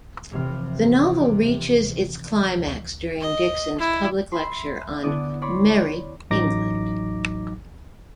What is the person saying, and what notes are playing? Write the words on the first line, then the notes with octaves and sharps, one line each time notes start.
The novel reaches its climax during Dixon's public lecture on "Merrie England".
F1 C3 E3 F5
D#5
E4
E5 G#5 B5 C6
D3 B3 E4 D5 D#6
C#5 D5 B5 C6
A1 F#3 D#4 D6 A#6